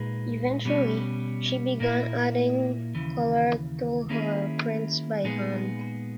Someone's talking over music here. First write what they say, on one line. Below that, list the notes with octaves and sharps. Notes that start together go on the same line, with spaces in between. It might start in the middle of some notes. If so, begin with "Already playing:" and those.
Eventually, she began adding color to her prints by hand.
Already playing: A#2 G#3 D#4 G#4 B4
B2 G3 C#4
A#2 A#3 E4
D#2 C#3 E3
D#3 A#3 C#4 E4 G#4
A#2 G#3 B3 D#4 G#4